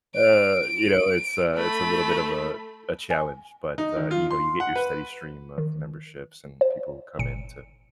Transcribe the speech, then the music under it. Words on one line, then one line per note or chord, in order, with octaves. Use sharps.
uh, you know, it's, uh, it's a little bit of a a challenge, but, uh, you know, you get your steady stream of memberships and people come in to,
D7
A3 B5
G#5
D#4
D#3
F4
C6
F#5
B4
D#3
C5
G1 A#2 C#7